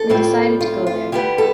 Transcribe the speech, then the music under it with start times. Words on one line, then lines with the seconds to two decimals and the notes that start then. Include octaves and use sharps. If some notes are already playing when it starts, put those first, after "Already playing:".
We decided to go there.
Already playing: A4
0.09 A2 G3 C4 F4
0.61 F4
0.87 F4
1.12 D3 G3 B3 G4
1.38 A4